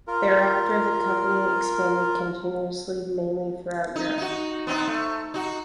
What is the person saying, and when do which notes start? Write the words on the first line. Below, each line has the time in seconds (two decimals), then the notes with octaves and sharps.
Thereafter, the company expanded continuously and mainly throughout Europe.
0.08 F4 A#4
3.96 D#4
4.18 D#4 F#4
4.67 B3 C4 D#4
4.87 A3
5.34 D#4 F#4